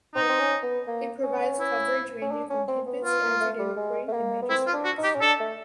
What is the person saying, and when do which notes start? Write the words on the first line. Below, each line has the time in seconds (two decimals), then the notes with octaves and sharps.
It provides coverage ranging from tidbits to everyday reporting to major stories.
0.15 C4 D#4
0.22 B3
0.29 C4
0.39 C#4
0.63 B3
0.87 A#3
1.23 C#4
1.60 E4
2.22 C#4
2.31 D4
2.50 C#4
2.68 C4
2.87 B3
3.04 B3 F4
3.23 A#3
3.40 A3
3.59 G3
3.76 G#3
4.08 A3
4.13 A#3
4.42 B3
4.49 C4 E4
4.67 F4
4.73 D4
4.85 F#4
4.98 D#4
5.04 G4
5.15 C#4
5.21 D4 A4
5.40 A3